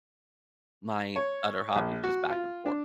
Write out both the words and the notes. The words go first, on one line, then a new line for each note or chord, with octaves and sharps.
my other hobbies, just back and forth.
C#5
A#1
F#4
F4
D4